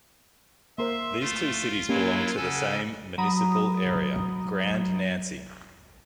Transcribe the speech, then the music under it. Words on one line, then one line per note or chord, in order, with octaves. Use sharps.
These two cities belong to the same municipal area: Grand Nancy.
A#3 A#4 C5 E5 C6
A3 F4
F#3 A#3 C#4 E4 G4
C#3 A4 F#5 G#5
F#3 A#5 B5 D#6